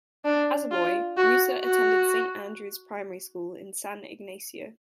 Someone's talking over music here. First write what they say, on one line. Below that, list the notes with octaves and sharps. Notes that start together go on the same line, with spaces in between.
As a boy, Musa attended Saint Andrew's Primary School in San Ignacio.
D4
F4
F#4
F#4